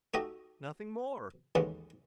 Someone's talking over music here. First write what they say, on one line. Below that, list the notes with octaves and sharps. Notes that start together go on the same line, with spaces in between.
Nothing more.
A3 D#4 F#4 G4 D#5 E5
A1 D#2 C#3 E3 G#3 F#5